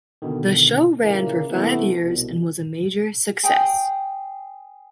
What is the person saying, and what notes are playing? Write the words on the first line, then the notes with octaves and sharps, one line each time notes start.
The show ran for five years and was a major success.
B2 D3 D#3
A#2 C#3 E3 A#3
C3 E3 A3 B3
C2 B2
G#4 G5 D#6